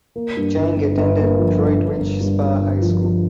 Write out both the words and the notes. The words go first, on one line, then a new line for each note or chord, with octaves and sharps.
Chang attended Droitwich Spa High School.
A#3
G2
G1
G1
G1
A#3
F3
G2
G1
G1
G2
G2
G1
F3
F3